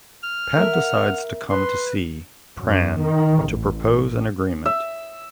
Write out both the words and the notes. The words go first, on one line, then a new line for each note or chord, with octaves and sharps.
Pat decides to come to see Pran to propose an agreement.
F6
A3 A#4 E5
F#5
B4 C6
F#2
D#3
A1
E5